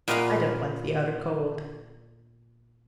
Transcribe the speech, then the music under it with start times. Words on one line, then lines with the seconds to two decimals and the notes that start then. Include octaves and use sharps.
I don't like the outer Cold.'
0.08 A#2 B3 D#5 F5 A#5 B5